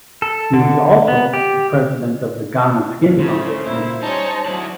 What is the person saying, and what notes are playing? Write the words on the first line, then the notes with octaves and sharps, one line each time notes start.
He was also the President of the Ghana Skin Foundation.
A4
D3
B3
G4
D2 C#3 A3 C5
A#2 E4
G3 C#4 D#4 C#5 A5
D3 F#3 E4 D5